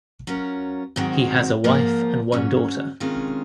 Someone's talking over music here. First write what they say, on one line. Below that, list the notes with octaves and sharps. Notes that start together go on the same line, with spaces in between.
He has a wife and one daughter.
F#3 C#4 F4 A#4
G#2 D#3 F#3 C4 F#4
G#2 F3 A#3 F4 A#4
G#2 F#3 C#4
C3 D#3 G#3 C#4 F4